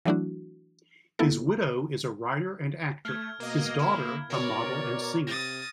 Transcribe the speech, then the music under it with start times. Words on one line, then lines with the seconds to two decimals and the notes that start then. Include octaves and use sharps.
His widow is a writer and actor, his daughter a model and singer.
0.05 E3 F#3 A3 D4 E4 F#4
1.19 A#3 B3 E4 A4
3.05 A3 F6 G#6
3.40 B2 A#3 D#5
3.79 A#3 E4
4.30 B2 A#4 C#5 D5
5.27 C3 D#6 A6 A#6